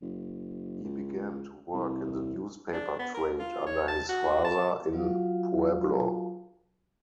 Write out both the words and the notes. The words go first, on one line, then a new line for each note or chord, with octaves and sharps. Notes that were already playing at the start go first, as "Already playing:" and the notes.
He began to work in the newspaper trade under his father in Pueblo.
F#1
C#2
C2
D4
B3
A#4
F4
C#5
A5
F#4
A5
F#3 F4 F#4 F5